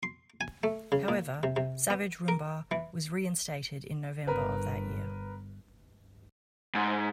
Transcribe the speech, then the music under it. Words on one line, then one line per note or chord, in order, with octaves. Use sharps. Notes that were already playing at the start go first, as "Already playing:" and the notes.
However, Savage-Rumbaugh was reinstated in November of that year.
C6
G#5
A3
C#3
A#2
C3
C3
B3
A#4
E3
G1 B3 A#4 B4
G#2